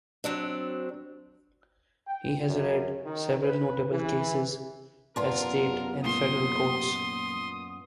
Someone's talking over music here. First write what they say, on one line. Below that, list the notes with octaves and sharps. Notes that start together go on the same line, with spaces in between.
He had led several notable cases at state and federal courts.
F#3 C4 D4
G5
F#2
D#3
B4
E3
F#2 B3 F4 A#4 D5 A5 C6
A#2 C6 D#6 E7